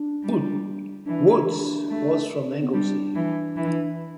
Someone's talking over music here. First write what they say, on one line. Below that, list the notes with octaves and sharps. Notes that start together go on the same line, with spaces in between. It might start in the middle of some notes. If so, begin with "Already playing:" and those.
Woods was from Anglesea.
Already playing: D4
G3
E3 D4
A3
B3
G3 D4
E3
E3